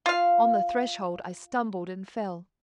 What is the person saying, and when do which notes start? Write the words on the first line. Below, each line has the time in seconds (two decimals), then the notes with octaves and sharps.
On the threshold I stumbled and fell.
0.06 F4 F5